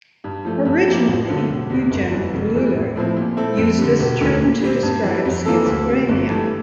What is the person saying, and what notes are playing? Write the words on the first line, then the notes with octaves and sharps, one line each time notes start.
Originally, Eugen Bleuler used this term to describe schizophrenia.
G2
F3 A3
G2
F3 A#3 E4 G4
A1
G2 D3 A3
E1
E2 C3
G1
F2 E3
F1
E2 E3 G3
A1
A2 F3 C4 E4
A#2
A3 C4 E4 A4
F2
D3 G3
E1
D2 D3
A#2
G3 C4
G2
E3 G3
F2
E3 A#3 F4 A4
D2
C3 G3
G1
G2 E3 A3